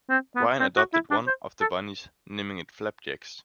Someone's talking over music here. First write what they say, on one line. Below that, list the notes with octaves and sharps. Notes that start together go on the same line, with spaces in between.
Ryan adopted one of the bunnies, naming it Flapjacks.
C4
B3
C4
F#4
E4
D4
C5
A4